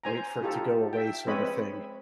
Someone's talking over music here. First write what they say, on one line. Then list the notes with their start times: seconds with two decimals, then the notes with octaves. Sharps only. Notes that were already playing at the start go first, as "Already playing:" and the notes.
wait for it to go away sorta thing.
0.04 C5 G#5 A#5
0.42 D#4 F4 G4 A4
0.93 E5 G5
1.27 G#3 C4 B4 C#5 D#5 B5